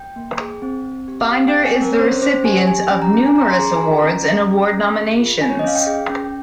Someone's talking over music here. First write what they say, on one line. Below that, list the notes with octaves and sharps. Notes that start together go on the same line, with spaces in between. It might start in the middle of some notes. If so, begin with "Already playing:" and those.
Finder is the recipient of numerous awards and award nominations.
Already playing: G5
A#3
G#4
C4
C4
G4
G4 F5
G5
C4
G#5
C4
A#4
C#5
C#4 C5
C#4 C5
G4 G#5
G4 G#5
C#4
A#5
C#4
G#5
C#4 A#5
C6
G#4 A#5
G#5
F4 A#5
C#4
C#4
G#4
C#4
G#4
F4
C#4 G#5
C#5
D#5
C#4 F5
G5
G#4
C#4